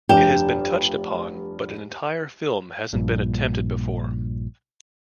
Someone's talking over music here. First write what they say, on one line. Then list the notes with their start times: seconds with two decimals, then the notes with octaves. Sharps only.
It has been touched upon but an entire film hasn’t been attempted before.
0.09 F1 G2 G4 E7
2.93 A#1 G2 A#2